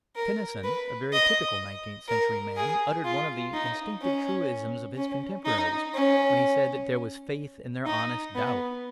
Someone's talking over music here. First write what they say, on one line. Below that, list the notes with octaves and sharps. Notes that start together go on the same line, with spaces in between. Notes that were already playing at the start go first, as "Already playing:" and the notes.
Tennyson, a very typical nineteenth century man, uttered one of the instinctive truisms of his contemporaries when he said that there was faith in their honest doubt.
A#4
B4
D#5
A#4
G#4
F4
D#4
C#4
C#4
D#4
C#4
D#4
B3